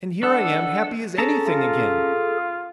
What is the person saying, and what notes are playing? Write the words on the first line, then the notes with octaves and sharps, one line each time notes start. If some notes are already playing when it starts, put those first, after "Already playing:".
And here I am happy as anything again.
D4 A4 F#5 E6
C#4 G#4 A4 A5 A#5
F4